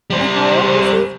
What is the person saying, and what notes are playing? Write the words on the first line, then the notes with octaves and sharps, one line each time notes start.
And how old was he?
G3 C5